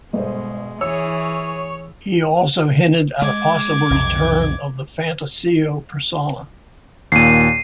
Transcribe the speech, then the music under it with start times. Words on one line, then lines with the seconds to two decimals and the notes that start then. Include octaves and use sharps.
He also hinted at a possible return of the Phantasio persona.
0.13 G1 G#2 B2 G#3 C5
0.81 E3 G#4 C#5 E6
3.22 G#3 D6 G#6
3.90 B1 F2 C3
7.12 D#2 A#2 C7 D#7